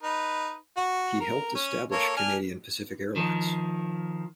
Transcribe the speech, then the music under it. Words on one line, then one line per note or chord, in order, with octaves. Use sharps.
He helped establish Canadian Pacific Air Lines.
D#4 B4
F#4
A#4
C#4
A#3 A4 C#5
D4 G#5 F6
D#3 F3